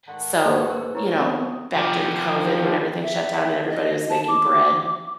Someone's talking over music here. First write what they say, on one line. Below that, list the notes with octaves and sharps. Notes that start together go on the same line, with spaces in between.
So, you know, back during COVID when everything shut down and everybody was making bread.
G#2 D3 D#3 F#5
B2 G#3 A#3 G#4 C5 C#6
A#4
A#3 E4 A#4 C#5 A#5 C6
D#3 B3 C4 D#5
F3 G4
E5
D#5
A5
D6